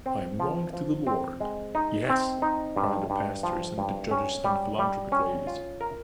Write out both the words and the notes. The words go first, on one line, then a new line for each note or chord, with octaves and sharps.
I am going to the Lord.' 'Yes,' cry the pastors and the judges and philanthropic ladies.
C4
F3
F3
C4
G#3
D#4
C4
D#4
G2
G2
F3
G2
C#4
G3
G3
C#4
F4
A#4